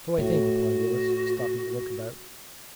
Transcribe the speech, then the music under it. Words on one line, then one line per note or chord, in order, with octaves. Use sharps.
"So I think," replied Willis, stopping to look about.
A2 F#4